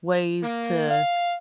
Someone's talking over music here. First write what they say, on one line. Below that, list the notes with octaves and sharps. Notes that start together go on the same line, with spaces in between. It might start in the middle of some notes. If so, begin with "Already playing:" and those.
ways to
A#3
F5